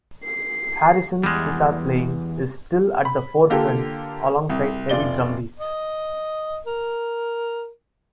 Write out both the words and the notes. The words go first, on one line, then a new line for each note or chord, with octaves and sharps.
Harrison's sitar playing is still at the forefront, alongside heavy drumbeats.
C7
E2 G3 G#3
B5
D3 A#3 F4 G4 A4
C2
F1 F4 D5 G7
D#5
A#4